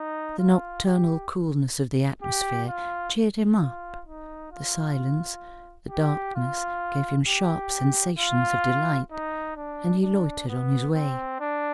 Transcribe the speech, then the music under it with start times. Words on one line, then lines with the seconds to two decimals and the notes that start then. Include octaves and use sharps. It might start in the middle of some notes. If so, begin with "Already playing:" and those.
The nocturnal coolness of the atmosphere cheered him up; the silence, the darkness gave him sharp sensations of delight, and he loitered on his way.
Already playing: D#4
0.39 F4
0.85 G4
2.22 G4
2.69 F4
3.60 F4
4.06 D#4
4.52 F4
5.90 G4
6.35 F4
7.27 G4
8.19 F4
9.11 D#4
9.56 D4
10.03 D4
10.48 B3
10.95 C4
11.40 D4